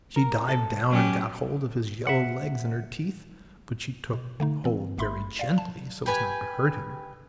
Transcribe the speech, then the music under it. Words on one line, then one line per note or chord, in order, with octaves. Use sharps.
She dived down, and got hold of his yellow legs in her teeth, but she took hold very gently, so as not to hurt him.
A#4
A4
F#3 C#4 G4
E5 F#5
B2
D3 A3 D#4
E3 C4
G#1 A3 E5 B5 C6
D5 F5
A5
G4 B4 G#5